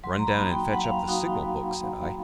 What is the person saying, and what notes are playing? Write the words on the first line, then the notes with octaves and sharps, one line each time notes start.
"Run down and fetch up the signal-book," said I.
F#3 C6
A#5
B5
A#3 D#4 F#4
G5
F#3 F#5
F5
F#5
A#3 D#4 F#4
F#3